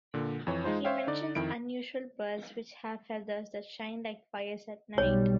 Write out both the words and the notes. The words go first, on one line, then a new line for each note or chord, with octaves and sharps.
He mentions unusual birds, which have feathers that "shine like fires at night".
A#2 D3
F2 E3 C#5
G#3 D#4 F4 C5
C5 C#5 E5 F5 G5
D3 D#4 D5
F2 D#3 E4 D7
B1 G3 C#5